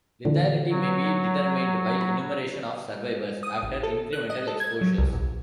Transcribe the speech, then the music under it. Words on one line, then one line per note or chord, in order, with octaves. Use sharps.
Lethality may be determined by enumeration of survivors after incremental exposures.
A#2 D3 E3
F#3
B5
D#6
G#1
A4
F#6
D#5
A4
G#6
F#3
C2
A#1